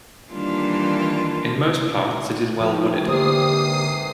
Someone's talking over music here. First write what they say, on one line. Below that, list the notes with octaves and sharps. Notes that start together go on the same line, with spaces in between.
In most parts it is well-wooded.
D#3 E3 G3 A#3 D4 F4
G#2 C3 E3 F3
D3 A#3 G4 C5 D#6 C7